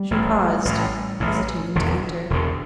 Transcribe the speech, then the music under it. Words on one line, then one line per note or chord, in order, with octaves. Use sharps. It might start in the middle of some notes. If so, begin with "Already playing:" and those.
She paused, hesitating to enter.
Already playing: G3
A1 A2
A1 A2
A1 A2
E1 E2 D3
E1 E2 D3